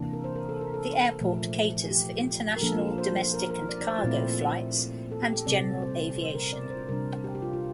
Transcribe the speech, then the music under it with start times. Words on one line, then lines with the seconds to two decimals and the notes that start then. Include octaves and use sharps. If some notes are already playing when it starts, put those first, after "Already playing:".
The airport caters for international, domestic and cargo flights and general aviation.
Already playing: C3 E3 A#3 D4
0.13 A#4
0.24 C5
0.36 A#4
0.49 A4
0.61 A#4
0.74 A4
1.21 A#2 F3 A3
1.91 G4
2.56 A#4
2.62 F3 A#3 D4 A4
2.98 C5
3.34 A#4
3.50 A#4
3.69 D5
3.81 D5
3.87 C5
3.99 F4
4.04 A#2 A3 C4 E4
5.11 A4
5.23 G4
5.33 A4
5.46 C3 G3 C4 D5
5.82 C5
6.18 C5
6.35 A#4
6.53 D5
6.70 C5
6.89 C3 G3 D4 A#4
7.24 G4
7.35 G4
7.42 F4
7.53 F4